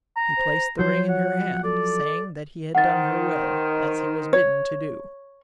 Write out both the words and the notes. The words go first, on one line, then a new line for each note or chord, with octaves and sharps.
He placed the ring in her hand, saying that he had done her will, as he was bidden to do.
A#5
C5
F3 F#3 C5 C#5
F#5
A4 D5
D#3 C5 F#5 A6
C#5